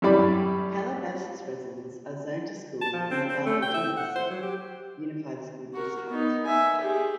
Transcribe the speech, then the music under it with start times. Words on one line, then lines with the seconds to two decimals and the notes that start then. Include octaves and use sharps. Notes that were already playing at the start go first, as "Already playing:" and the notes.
Calabasas residents are zoned to schools in the Las Virgenes Unified School District.
0.02 F#2 A2 G3 D5 B5
2.82 A5
2.93 F3
3.11 C4
3.30 C4
3.46 A3
3.62 G5
3.75 E5
3.97 F#5
4.16 C5
4.30 F#3
4.43 G4
5.74 F#4 A#4
6.10 B3 D#4
6.45 E5 G#5
6.81 G4 G#4